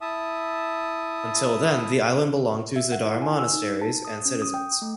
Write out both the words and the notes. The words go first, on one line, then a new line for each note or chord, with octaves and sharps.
Until then the island belonged to Zadar monasteries and citizens.
E4 E5 A5 D#6
E5
F#5
E4
G#5
E6
D#4
A5
D#6
C#4
D#6
G5
A3